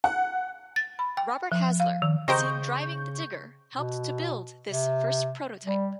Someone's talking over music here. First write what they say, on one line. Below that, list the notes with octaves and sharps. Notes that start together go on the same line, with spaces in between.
Robert Hasler, seen driving the Digger, helped to build this first prototype.
F#5
A6
B5
G5
F3
F5
D#3
C#3 C4 G4 A#4 C5 D#5 C#6 G6
B2
C3
G3